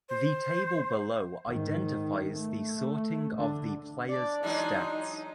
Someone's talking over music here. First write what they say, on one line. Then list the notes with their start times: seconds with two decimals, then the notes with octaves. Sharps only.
The table below identifies the sorting of the players stats.
0.09 C5
1.47 G#2 D#3
2.35 A3
3.36 D3 D4
4.09 D4 D5
4.43 E3 F#3 G#3 D#4